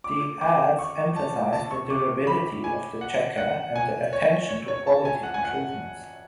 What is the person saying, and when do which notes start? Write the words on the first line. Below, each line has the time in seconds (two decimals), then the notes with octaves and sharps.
The ads emphasized the durability of the Checker and the attention to quality improvements.
0.04 D6
0.41 D6
0.79 C#6
1.16 A5
1.53 A5
1.71 C#6
1.90 D6
2.27 B5
2.64 G#5
3.01 F#5
3.37 F#5
3.76 G#5
4.13 C#5
4.49 C#5
4.68 C#5
4.87 A5
5.05 G#5
5.23 F#5
5.34 G#5
5.45 F#5